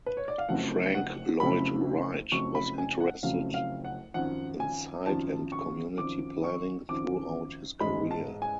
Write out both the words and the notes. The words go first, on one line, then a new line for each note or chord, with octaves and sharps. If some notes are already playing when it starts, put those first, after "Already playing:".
Frank Lloyd Wright was interested in site and community planning throughout his career.
B4
C#5
D5
F5
F#1 F2 C#3 F#3 A3 F#5
F#5
F#1 F2 C#3 F#3 A3 B5
F#1 F2 C#3 F#3 A3 C#6
B5
G#5
F#5
F#1 F2 C#3 F#3 A3 F5
F5
F#5
G#1 F#2 F3 F#5
G#5
G#1 F#2 F3 A5
C#6
G#1 F#2 F3 D6
C#6
G#1 F#2 F3 D6
A1 G#2 G#3 B5
A5
G#5